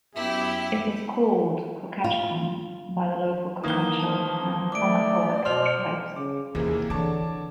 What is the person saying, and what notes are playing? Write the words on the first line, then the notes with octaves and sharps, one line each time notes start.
It was called Cochaticquom by the local Cochato and Ponkapoag tribes.
F#2 B3 E4 G4 E5
F4
D#3 E3 A#3 D#6 G7
F3 A5
A3 D5 D6 D7
B2 C5 C6 F6 F7
C#3 D6
D#2 C3 E3 A#3 G#4
D3 E3 C#5 A5 D6